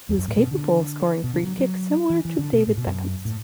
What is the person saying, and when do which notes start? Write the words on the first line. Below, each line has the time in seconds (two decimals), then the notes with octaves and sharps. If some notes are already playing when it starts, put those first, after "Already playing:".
He was capable of scoring free kicks similar to David Beckham's.
0.09 E2
0.18 F#2
0.28 A2
0.37 B2
0.51 D3
1.24 B2
1.34 D3
1.43 F#3
1.59 F#3
2.10 E3
2.25 E3
2.39 D3
2.53 B2
2.67 A2
2.77 B2
2.87 F#2
3.25 A2